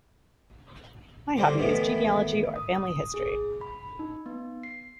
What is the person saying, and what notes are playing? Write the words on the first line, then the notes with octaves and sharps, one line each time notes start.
My hobby is genealogy, or family history.
D3 G3 A#3 C4
A2 D#3 E3 B3
D#6
G#4
B5
D#4
B3
C7